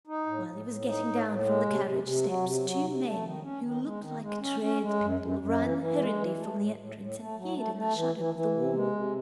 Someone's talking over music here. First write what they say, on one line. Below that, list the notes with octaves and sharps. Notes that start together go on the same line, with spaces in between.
While he was getting down from the carriage steps two men, who looked like tradespeople, ran hurriedly from the entrance and hid in the shadow of the wall.
D#4
A2
A2
A2
D#4
A2
A2
G#3
C3
C3
C3
F#3
C3
F#3
C3
A3
D#3
C#4
D#3
G#3
D#3
G#3
C#4
C#4
G#3
F#2
F#2
F#2
E3
E3
G#3
E3
A3
A2
A2
A2
A3
F#3
A3
A3
E3
E3
E3
C3
G#3
C3